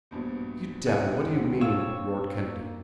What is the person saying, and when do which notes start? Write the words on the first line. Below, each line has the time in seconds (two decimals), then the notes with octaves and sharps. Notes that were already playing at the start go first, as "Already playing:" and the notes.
"You devil, what do you mean?" roared Kennedy.
0.11 A#1 G2 B2
0.87 C#2 C4 F#5 G#5
1.61 D4 C#5 F5 E6
2.44 A#3